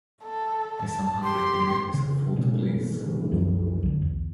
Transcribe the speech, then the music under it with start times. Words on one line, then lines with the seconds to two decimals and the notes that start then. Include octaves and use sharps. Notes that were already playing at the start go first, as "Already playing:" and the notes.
Miss, I'm hungry. Can you make me some food please?
0.23 A4
0.82 A5
1.23 G4 C6
1.94 C#3
2.36 B2 G#3 C#4 D4
3.31 C2 F#2 F3 F#3
3.83 C2 D3
4.02 E2